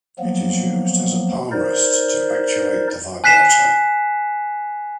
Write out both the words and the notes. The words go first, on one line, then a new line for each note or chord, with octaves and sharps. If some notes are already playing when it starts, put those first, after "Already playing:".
It is used as a palm rest to actuate the vibrato.
F3 F#3 A#3 B3
D#4 A#4 C5 D5
G#5 F#6 B6 C7 E7